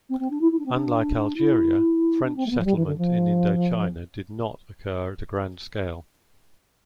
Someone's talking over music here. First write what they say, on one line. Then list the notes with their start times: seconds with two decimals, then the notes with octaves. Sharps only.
Unlike Algeria, French settlement in Indochina did not occur at a grand scale.
0.09 C4
0.20 C4
0.30 D4
0.41 E4
0.52 E4
0.59 D4
0.66 C4
0.73 D4
1.37 E4
2.23 D4
2.36 C4
2.46 A3
2.50 B3
2.59 F3
2.65 G3
2.76 E3
2.86 D3
2.98 F3